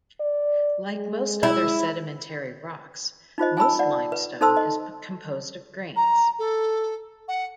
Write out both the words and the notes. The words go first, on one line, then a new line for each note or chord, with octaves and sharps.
Like most other sedimentary rocks, most limestone is composed of grains.
D5
G#3
E4
D#4 F4 C5 D#5
G#5 A5 B5 E6
D5 F#5
B4
D#4 A4 C5 A5 C6 E6
D#5
A#5
A4
F#5